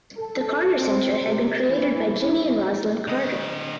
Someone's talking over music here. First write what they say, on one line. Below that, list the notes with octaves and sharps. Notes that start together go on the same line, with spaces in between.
The Carter Center had been created by Jimmy and Rosalyn Carter.
A4
C4
C3
E3
E4
D3 D#5